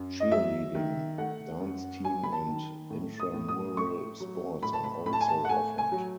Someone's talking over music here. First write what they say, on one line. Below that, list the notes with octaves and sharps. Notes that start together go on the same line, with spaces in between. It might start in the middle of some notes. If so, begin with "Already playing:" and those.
Cheerleading, dance team and intramural sports are also offered.
Already playing: F#2
D#5
F#3 E5
D#3
A3 F#5
F#2
F#3 G#5
B5
A5
D#3
A2
D#6
A2
D#6
A3 C#6
F#3
A2 B5
A5
B5
A2 B5
A5
G#5
A5
F#5
A3 G#5
G#5
F#3